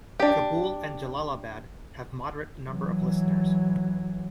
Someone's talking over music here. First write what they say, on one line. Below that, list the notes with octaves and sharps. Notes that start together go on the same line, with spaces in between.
Kabul and Jalalabad have moderate number of listeners.
D4 G4
E3 F#3